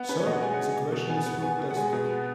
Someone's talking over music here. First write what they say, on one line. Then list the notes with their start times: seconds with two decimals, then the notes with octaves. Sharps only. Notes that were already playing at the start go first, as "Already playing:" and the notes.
Third, the question is field tested.
Already playing: B3
0.09 C#4 B4
0.20 C#5
0.26 B2 D#5
0.32 F#5
0.42 G#3 G#5
0.54 F#5
0.59 B2
0.65 G#5
0.76 B2
0.92 B2
1.09 B3 G#5
1.26 B3
1.42 B3 G#5
1.60 B2
1.70 F#5
1.77 G#3 G#5
1.93 B2
2.10 B3